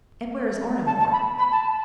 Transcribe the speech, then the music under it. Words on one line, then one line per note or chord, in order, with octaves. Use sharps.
"And where is Oranmore?"
A5
A5
B5
B5
A5